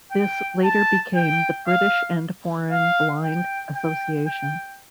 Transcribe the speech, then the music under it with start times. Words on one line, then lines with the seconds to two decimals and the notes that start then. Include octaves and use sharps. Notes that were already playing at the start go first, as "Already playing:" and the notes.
This later became the British and Foreign Blind Association.
0.12 G5
0.64 A5
1.16 G5
1.67 F5
2.72 F5
3.24 G5
3.75 G5
4.27 G5